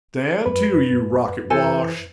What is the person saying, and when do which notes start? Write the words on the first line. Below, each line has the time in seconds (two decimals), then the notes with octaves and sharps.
"Stand to, you rocket wash!"
0.46 F#2 B4
1.50 E3 A4 C5 G#5